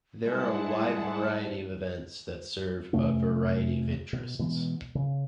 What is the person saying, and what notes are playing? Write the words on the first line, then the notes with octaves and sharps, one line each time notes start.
There are a wide variety of events that serve a variety of interests.
G3 G#3 E4 F#5 A5
F2 C3 A3 C#4
B2
B2 E3 G#3 B3
C#3